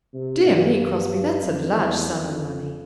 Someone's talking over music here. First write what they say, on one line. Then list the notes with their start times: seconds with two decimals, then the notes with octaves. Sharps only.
"Dear me, Crosbie; that's a large sum of money."
0.14 C3
0.46 G2
1.44 F2
1.76 E2
2.08 F2